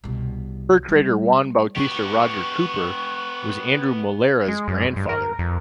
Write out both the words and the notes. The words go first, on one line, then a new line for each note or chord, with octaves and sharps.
Fur trader Juan Bautista Roger Cooper was Andrew Molera's grandfather.
C2 B2
G3
B3 G4 C#6
G#3
F#2
G2
A#4
F2